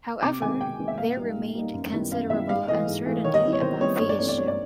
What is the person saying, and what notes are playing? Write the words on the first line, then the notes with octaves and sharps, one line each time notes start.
However, there remained considerable uncertainty about the issue.
C3 D6
D#3 G#3 C4 G#5
C3 G5
D#3 G#3 C4
E5
A#2 F5
G3 A#3 D#4
A#2
G3 A#3 D#4
F#2
D#3 G3 B3 E4
F#2 F5
D#3 G3 B3 E4 E5
G#2 F5
E3 A3 D#5
G#2
E3 A3
D#3 C#5
D#5
G3 C4 E4
C#5
D#3 C5
G3 C4 E4 C#5
G2 C#5
D5
E3 A3 C4 C#5
D5
G2 C#5
D5